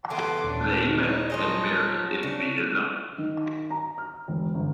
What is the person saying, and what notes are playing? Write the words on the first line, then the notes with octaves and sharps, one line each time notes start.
They met and married in Vietnam.
E3 B3 A4 C6 D6
D#1 C#4 D4
D#4 E4 C#5
F3 G#3 G#4 D#5
F#3
C#3 D4
D#3
A#5
F6
E1
G1